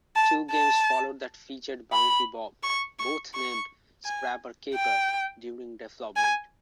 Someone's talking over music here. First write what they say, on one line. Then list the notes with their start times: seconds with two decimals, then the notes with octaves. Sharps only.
Two games followed that featured Bounty Bob, both named "Scraper Caper" during development.
0.16 A5
0.51 A5
1.93 B5
2.63 C#6
2.99 C#6
3.34 C#6
4.05 G#5
4.75 G5
6.16 G#5